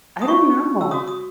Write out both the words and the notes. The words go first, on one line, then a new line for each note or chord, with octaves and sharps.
I don't know.
D#6
F#4 C#5 C#6
E6
F#4 C#5 D#6
D#6